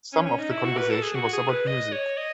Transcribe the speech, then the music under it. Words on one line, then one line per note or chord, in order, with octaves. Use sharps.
Some of the conversation was about music.
C#4
C#4
D#4
E4
F#4
B4
A4
G#4
F#4
G#4
B4
D#5
C#5
D#5